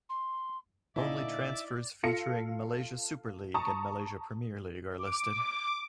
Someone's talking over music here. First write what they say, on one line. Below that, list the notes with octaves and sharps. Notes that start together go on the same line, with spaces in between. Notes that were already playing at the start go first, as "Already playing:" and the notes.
Only transfers featuring Malaysia Super League and Malaysia Premier League are listed.
C6
A#2 D3 D#4 E4 D5 E5 D6
F4 A4 F5 A#6 C#7
A5 A#5 C#6 D#6
D6